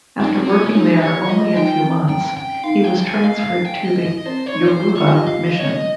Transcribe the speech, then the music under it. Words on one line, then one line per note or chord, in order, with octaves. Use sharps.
After working there only a few months, he was transferred to the Yoruba mission.
C4 D#4
C#4
C4
C#4 F4
C#4
F4
D#4 G4
G4 C#5
F4 D#5
F4
D#4 G5
C4
C#4 G5
G5
D#4 F5
G5
G#5
F5
F5
G5
D#5
D#5
C4 C5
C#5
D#4
C5
F4
G4
F4 C#5
F4 D#5
G4
F4
F5
D#5
C#5
D#5